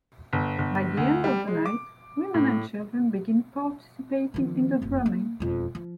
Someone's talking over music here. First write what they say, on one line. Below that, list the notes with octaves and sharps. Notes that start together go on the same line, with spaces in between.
By the end of the night, women and children begin participating in the drumming.
G1
G1
D2
G3
G#3
D6
A2
D#3 F3
F#1 F2
A#3
E1 F2
F3